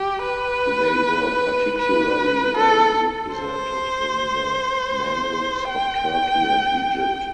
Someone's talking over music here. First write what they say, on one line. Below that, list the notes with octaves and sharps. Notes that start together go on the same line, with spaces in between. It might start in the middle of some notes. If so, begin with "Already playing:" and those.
They were particularly well represented in the Mamluks of Turkey and Egypt.
Already playing: G4
B4
B4
A4
C5
G5